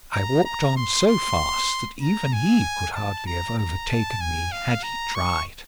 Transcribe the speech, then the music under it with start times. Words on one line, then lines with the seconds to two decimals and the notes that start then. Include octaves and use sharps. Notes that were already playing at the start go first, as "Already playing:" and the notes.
I walked on so fast that even he could hardly have overtaken me had he tried.
0.13 A#5
0.45 A#5
0.76 C6
1.07 C6
2.02 A#5
2.33 G#5
2.95 A5
3.27 A#5
3.58 A#5
3.89 A5
4.21 G#5
4.52 F5
4.83 A#5
5.15 C#6